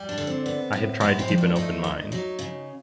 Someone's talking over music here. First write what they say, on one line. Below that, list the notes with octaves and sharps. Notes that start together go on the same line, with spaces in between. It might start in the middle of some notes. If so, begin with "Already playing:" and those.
I have tried to keep an open mind.
Already playing: G3
D4
D3
C4
B3
A2
G#3 B3
C4
F3
D4
A3 D#4
D2
F#3 D#4
C#3